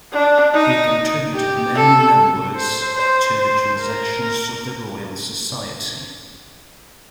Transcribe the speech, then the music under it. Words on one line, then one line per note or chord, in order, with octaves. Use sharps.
He contributed many memoirs to the "Transactions of the Royal Society".
D4
D#4
G4
A4
C5
C5
C5
A#4